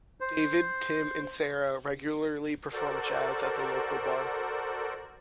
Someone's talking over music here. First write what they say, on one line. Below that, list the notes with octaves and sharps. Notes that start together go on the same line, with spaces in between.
David, Tim and Sarah regularly perform jazz at the local bar.
C5
F#4 A4 A#4 C5 D5